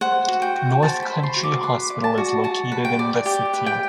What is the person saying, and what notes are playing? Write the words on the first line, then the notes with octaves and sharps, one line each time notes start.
North Country Hospital is located in the city.
C5 F#5
F#4
G5
F#4
C5 A5
B5
C5
C6
F#4
D6
B4 C6
D5
A5
F#4
F#4 A5
B4
G5
D5
G4 G5
B4
G5